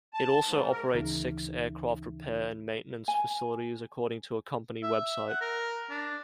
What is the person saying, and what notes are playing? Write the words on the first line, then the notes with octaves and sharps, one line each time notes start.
It also operates six aircraft repair and maintenance facilities, according to a company website.
A5
G#2
A#4
D2 C#3 E3 D#4 E5
G#5
E5
F#5
A#4
D4